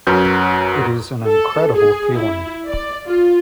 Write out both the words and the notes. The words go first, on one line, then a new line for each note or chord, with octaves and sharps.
It is an incredible feeling.
F#2 F#3 B4 F6 G6
A4
G#4
E4
D5
F4